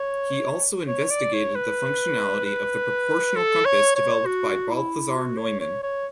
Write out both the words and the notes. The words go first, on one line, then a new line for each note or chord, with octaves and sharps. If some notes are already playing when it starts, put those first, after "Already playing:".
He also investigated the functionality of the proportional compass developed by Balthasar Neumann.
Already playing: C#5
C#5
D5
C#5
B4
B4
A4
C#5
C#5
F#4
E4
F#4
C#5
C#5
C#5